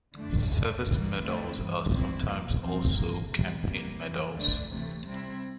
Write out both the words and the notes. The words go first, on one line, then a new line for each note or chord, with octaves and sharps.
Service medals are sometimes also Campaign medals.
F2 D3 A3 D4
F2 D3 A3 D4
G2 E3 G3 A#3
E2 D3 A3 C4 E4
G2 E3 G3
E2 D3 F3 C4 E4
G2 F3 A#3
G2 F3 C4
G2 E3 A#3
E2 C3 G3
E2 C3 G3 A#3
F2 C3 E3
D2 D3 A3 D4
C3 E3 A3
C3 G3 C4 E4